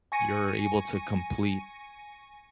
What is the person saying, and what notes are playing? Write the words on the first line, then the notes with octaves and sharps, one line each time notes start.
you're able to complete,
G#5 C#6 A#6 C#7 D#7